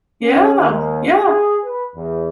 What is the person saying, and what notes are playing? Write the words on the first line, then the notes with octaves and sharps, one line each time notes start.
Yeah, yeah.
C#4
D#2
G#4
B4
E2